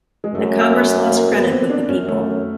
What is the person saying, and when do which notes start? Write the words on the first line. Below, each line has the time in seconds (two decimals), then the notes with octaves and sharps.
The Congress lost credit with the people.
0.24 G#3
0.35 F#2 A3
1.12 A#3
1.31 B3
1.50 C4
1.70 D4
1.89 F#2 C#4
2.08 A3